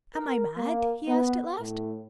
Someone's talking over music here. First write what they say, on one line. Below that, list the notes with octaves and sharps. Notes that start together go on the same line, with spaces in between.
"Am I mad?" he asked at last.
A#4
A#3
B3
A2